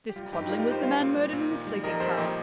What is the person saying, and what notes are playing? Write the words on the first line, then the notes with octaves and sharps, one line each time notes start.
This Quadling was the man murdered in the sleeping-car.
G4
G3 F4
G2 D#4 G4
G3 F4 A#4
D#4 G4
G3
G4 C5
G3 C5 F5
A#2
G3
A#2
D#3
G3
F2 A#4 D#5
F2 G4 C5
A#2 A#4 D#5